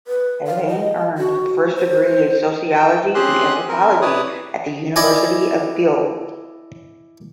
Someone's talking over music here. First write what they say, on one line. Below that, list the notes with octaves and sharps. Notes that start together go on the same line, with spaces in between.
Alang earned her first degree in Sociology and Anthropology at the University of Buea.
B4
F5
D#5
F#4
C5
G5
C4 C#4 G4 G#4 C6 F#6
C4 A#4
E4 B4 C#5 D5 D#6
E4 D5 D#5 G#5